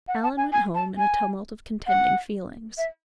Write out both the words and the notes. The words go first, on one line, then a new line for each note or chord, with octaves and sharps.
Alan went home in a tumult of contending feelings.
F#5
A5
G#5
G#5
A5
G#5
F#5
E5